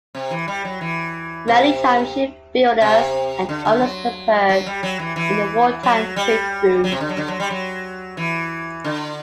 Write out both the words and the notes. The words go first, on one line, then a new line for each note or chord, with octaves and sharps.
Maritime ship builders and owners prospered in the wartime trade boom.
C3
E3
G3
F#3
E3
C3
C3
D3
D3
F#3
F#3
G3
F#3
E3
E3
F#3
G3
F#3
C3
D3
F#3
D3
F#3
G3
F#3
E3
D3